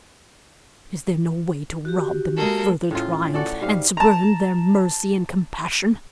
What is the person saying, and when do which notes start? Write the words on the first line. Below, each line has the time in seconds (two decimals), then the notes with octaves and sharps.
Is there no way to rob them of further triumph, and spurn their mercy and compassion?
1.85 F#4 G4
2.36 G#3 A#3 A4
2.91 A2 C#3 F4
3.34 F#4 A4 D5
3.61 G#2 G3 F5
3.97 A5 A#5